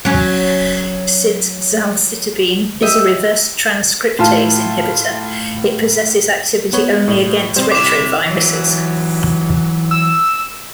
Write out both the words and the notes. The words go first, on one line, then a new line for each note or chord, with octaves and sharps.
Since zalcitabine is a reverse transcriptase inhibitor it possesses activity only against retroviruses.
F#3 C#4
G4 D#5 E5
A2 F4 A5
B3 C#5
A2
G3 C4 C5
C3 E4 D6 E7
E3 F#3
E6